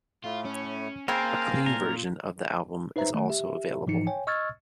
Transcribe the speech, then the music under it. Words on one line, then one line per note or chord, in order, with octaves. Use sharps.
A clean version of the album is also available.
A2 A3 F4
C#4
C#3 A#3 C4 A#4 F5 G#5 A5
A#2 A#4
D#4 B4 C5 E5 A#5
D#3 A3
G4 E5
G#2 E3 F3 D#4 C#7
C#5 G5 G#5
D#5 C#6 E6 F6 G#6 A6